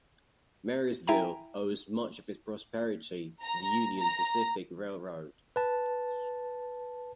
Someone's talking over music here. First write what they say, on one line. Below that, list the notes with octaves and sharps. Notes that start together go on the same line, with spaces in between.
Marysville owes much of its prosperity to the Union Pacific Railroad.
E4 E5 G5 G#5 A#5
A#5
A#5
B4 A5